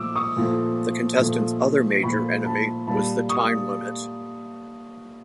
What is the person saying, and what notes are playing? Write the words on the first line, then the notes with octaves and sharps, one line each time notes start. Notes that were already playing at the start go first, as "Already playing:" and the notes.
The contestants' other major enemy was the time limit.
Already playing: A#2 F3 A3 D6 E6
C#6 D#6
A#2 F3 A3
A#2 F3 A3
A#2 F3 A3 B5 C#6
A5 B5
A#2 G3 A#3 A5 B5
C#6 D#6